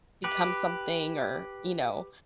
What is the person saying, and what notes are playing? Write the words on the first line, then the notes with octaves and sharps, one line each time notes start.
become something or, you know.
G4 B4